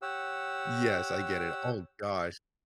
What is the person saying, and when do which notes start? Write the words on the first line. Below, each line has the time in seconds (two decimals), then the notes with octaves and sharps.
Yes, I get it. Oh gosh.
0.02 G4 C#5 F#5 E6